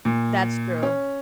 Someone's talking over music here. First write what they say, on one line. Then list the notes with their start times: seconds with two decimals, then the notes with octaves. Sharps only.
That's true.
0.05 A#2
0.83 C#4